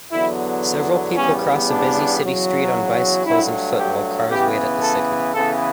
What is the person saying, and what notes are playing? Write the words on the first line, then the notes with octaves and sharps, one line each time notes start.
Several people cross a busy city street on bicycles and foot while cars wait at the signal.
E2 D3 F#3 B3 E4
E2 C#3 G3 B3 C#4
D4
E2 C#3 F#3
G2 F#3 A3 E4
G4
C#3 E3 B3 G4
A4
C#3 E3 B3 A4